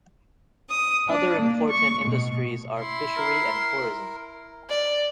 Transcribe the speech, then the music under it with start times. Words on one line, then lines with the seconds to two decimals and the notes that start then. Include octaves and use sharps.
Other important industries are fishery and tourism.
0.69 D#6
1.07 D4
1.40 A#3
1.70 C#6
2.04 B2
2.79 E4 C6
3.16 A#4
4.69 D5